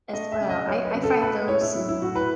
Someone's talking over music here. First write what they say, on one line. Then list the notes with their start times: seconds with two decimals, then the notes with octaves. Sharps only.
As well, I I find those
0.13 A3 D#5
0.32 E5
0.40 C#3
0.49 D#5
0.67 F#3 C#5
0.85 B4
0.94 C#3
1.03 A4
1.21 A3 B4
1.48 A2 C#5
1.61 E4
1.75 F#3 E4
1.88 E4
2.02 A2 F#4
2.16 B4